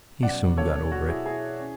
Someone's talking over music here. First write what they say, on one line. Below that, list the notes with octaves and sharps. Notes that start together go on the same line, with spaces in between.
He soon got over it.
B2 F#3 C#4 D5 F#5
A4 C#5
F#4
E4 G#4
E4 G#4
C#4